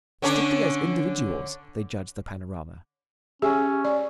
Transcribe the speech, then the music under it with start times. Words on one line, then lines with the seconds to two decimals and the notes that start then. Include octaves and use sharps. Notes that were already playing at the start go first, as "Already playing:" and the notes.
Strictly as individuals they judge the panorama.
0.22 D3 C#4 D4
3.42 C#4 G4 G#4 E5
3.85 D5